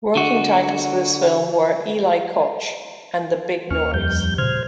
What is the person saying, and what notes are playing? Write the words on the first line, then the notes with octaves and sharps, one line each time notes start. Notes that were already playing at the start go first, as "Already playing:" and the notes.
Working titles for this film were "Eli Kotch" and "The Big Noise".
D3 F#4
D#2 A#3 C#4 C#6 F6
F2 G3 G6
A#2 C#3 C5 F6 G#6